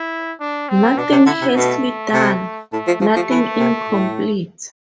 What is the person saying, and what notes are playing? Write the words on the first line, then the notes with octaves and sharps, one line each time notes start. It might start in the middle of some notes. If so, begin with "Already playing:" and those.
Nothing hastily done; nothing incomplete.
Already playing: E4
D4
C4
B2 D4
C3
D3 E4
C3
B2 A3
C3
A2 A3
F3
F3 A3
F3
E3
C3
A2